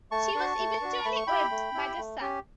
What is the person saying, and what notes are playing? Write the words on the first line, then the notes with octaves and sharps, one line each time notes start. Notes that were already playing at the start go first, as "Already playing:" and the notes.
She was eventually waived by the Sun.
A3 A5 C#6
D4 F#4
A3
D4 F#4
A3 B5
C#6
E4 G4 G5 B5
A3
E4 G4
A3
C#4 G4